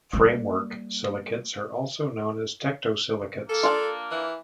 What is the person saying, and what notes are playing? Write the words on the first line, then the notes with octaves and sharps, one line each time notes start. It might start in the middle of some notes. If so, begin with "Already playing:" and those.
Framework silicates are also known as tectosilicates.
G3 A#3
A#3 A4
D4 F4
E3